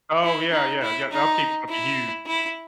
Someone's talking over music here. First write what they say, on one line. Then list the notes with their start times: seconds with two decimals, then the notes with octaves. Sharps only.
Oh, yeah, yeah, yeah, the upkeep's gonna be huge.
0.24 E4
0.52 D#4
0.81 E4
1.11 D#4
1.69 E4
2.27 E4